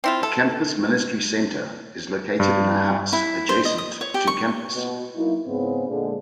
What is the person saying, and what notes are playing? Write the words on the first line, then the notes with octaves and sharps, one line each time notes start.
The Campus Ministry Center is located in a house adjacent to campus.
C4 E4 F4
A4
G2
E4
C5
D#5
D#6
C#5
G4
C#6
B2
F#3 A#3 D#4 E4
G#2 C#3 B3 C4
A#2 D3 G#3